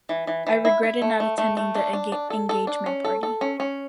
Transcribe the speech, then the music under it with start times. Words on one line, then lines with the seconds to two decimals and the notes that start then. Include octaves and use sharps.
I regretted not attending the engagement party.
0.09 E3
0.27 E3
0.47 E3
0.65 E4
0.83 E4
1.02 A3
1.20 A3
1.38 A3
1.57 A3
1.75 D4
1.93 D4
2.12 D4
2.30 A4
2.49 A4
2.67 D4
2.86 C#4
3.05 A4
3.23 A4
3.41 C#4
3.60 C#4